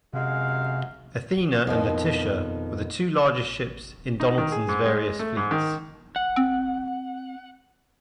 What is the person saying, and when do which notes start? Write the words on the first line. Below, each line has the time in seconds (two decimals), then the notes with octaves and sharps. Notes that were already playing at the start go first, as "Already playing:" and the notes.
"Athenia" and "Letitia" were the two largest ships in Donaldson's various fleets.
0.13 F#2 C3 G#3 F5
1.67 F2 B2 D#3
4.20 D#4
4.38 D#3
4.52 G#4
4.68 G#2
4.85 G#3
5.19 A3
5.37 G#2
5.51 D#3
6.16 F#5
6.36 C4